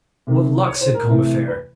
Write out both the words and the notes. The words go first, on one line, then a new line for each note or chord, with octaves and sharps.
"What luck!" said Combeferre.
C3 D#3 F#3
C#5
C5
A#4
C3 E3 A3
B4